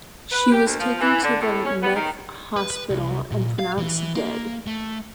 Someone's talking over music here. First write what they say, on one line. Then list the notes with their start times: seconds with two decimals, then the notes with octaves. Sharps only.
She was taken to the Meath Hospital and pronounced dead.
0.32 B4
0.52 G4
0.66 D2
0.79 F3
0.99 E3
1.22 D3
1.41 A2
1.65 C#4
1.82 B3
1.95 D#3
2.56 B4
2.70 B4
2.90 C2
3.32 A#2
3.59 F5
3.78 E3
4.15 A#3
4.67 A3